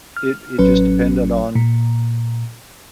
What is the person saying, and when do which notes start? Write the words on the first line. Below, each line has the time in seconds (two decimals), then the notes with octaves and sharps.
It it just depended on
0.17 F6
0.58 A1 F#3 C#4 B4
1.55 A#2